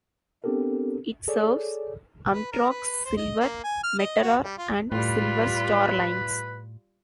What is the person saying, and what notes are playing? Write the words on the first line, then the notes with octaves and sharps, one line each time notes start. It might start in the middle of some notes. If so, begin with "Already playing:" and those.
It serves Amtrak's "Silver Meteor" and "Silver Star" lines.
B3 C4 D4 G4 A4 A#4
G#4 A4 C#5 D5
B4
A#4
B4
C5
D#5
A#3
G#5
F6
D#5
F#4
G3
F4
A2 G3 F4 B4